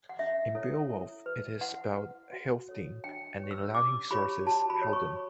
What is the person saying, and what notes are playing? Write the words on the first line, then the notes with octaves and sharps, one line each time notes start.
In "Beowulf" it is spelled Healfdene, and in Latin sources Haldan.
F#5
C#4 E5
E4 A4 C#5
E4
B4
E4 F#5
B4
F#4
A4 C#5
D4 G5
G4 C#5
E6
C#4 D6
E4 G4 C#5 B5
F#4 A5
B5
A4 C#5
C#6